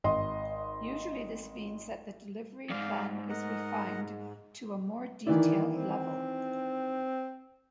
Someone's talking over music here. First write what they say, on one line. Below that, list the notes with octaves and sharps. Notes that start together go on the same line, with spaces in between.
Usually this means that the delivery plan is refined to a more detailed level.
G#1 D#5 C6
F2 G#2 D5 F5
A#4 D#5 F#5
D#3 E3 E4 D5
C4